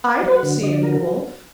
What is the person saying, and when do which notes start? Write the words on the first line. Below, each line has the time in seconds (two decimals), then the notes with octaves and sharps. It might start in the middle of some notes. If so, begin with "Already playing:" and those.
'I don't see any wolf.'
0.16 C5
0.22 F#3 D5
0.36 F#5
0.43 D3
0.62 D3 D#5
0.73 D5
0.82 F#3 A#4
0.93 A#4